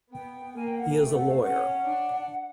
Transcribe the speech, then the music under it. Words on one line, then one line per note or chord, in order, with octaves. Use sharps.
He is a lawyer.
B3 G5
A#3 G#5
G5
F#5
G#5
A3 G5
F#5
F5
C#4 F#5
D4